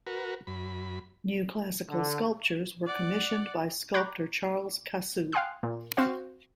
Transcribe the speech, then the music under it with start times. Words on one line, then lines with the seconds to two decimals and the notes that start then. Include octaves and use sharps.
New classical sculptures were commissioned by sculptor Charles Cassou.
0.07 F#4 A#4 B4
0.47 F#2 B5
1.89 D3
2.86 D5 F#5
3.94 A#5 B5 C#6 D6 F#6 G6
5.32 F5 G5 G#5 C6 D#6 F#6
5.63 A#2
5.97 C4 F#4 C5 F5